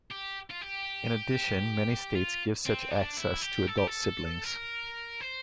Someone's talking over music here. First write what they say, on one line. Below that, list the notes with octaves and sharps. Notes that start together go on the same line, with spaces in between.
In addition many states give such access to adult siblings.
G4
F4
G4
F4
C4
D4
E4
G4
A4
G4
A4
A#4
C5